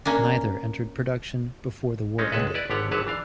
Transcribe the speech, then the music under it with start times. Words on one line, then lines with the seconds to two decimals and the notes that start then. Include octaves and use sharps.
Neither entered production before the war ended.
0.05 A#3 C#4 D4
2.18 G#3 C4 C#4 D#4
2.32 C#2 G#3 A4 B4
2.54 E4 B4 D5
2.70 G#1 D3 B3 G4 C#5 F#5
2.91 G#1 D3 F#3 B4 C#5 A5
3.07 E3 D4 F5